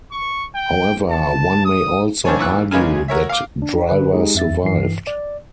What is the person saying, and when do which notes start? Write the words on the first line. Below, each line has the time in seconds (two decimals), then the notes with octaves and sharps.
However, one may also argue that Driver survived.
0.12 C#6
0.55 G5
1.10 A5
1.65 D#6
2.25 F#2 C4 D4 C#5 G#5
2.39 A#2 E3 C#6 E6 F#6
2.71 D#2 C#3 G#3 B4 G#5 F6
3.08 F#4 A#4 C#5 E5
3.29 F5 D6
3.62 D4
3.89 D3 B4
4.13 G#3 D#4 G4 G#4
4.35 F2 E5 A6
4.63 G2 E3 C7
5.07 D5